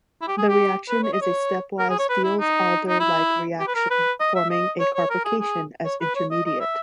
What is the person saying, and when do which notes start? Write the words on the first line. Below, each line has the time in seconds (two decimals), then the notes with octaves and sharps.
The reaction is a stepwise Diels-Alder like reaction, forming a carbocation as intermediate.
0.22 E4
0.28 G4
0.38 G#4
0.49 G4
0.89 B4
1.03 C#5
1.13 D#5
1.21 C#5
1.79 A#4
1.89 G#4
1.99 C#5
2.09 B4
2.24 E4
2.39 D#4
2.89 D#4
3.00 E4
3.60 G4
3.67 B4
3.75 A#4
3.90 B4
4.20 D#5
4.35 E5
4.50 D#5
4.80 C#5
4.95 C#5
5.10 A#4
5.25 G#4
5.40 G#4
5.85 C#5
6.01 B4
6.15 C#5
6.31 D#5
6.46 D#5
6.60 E5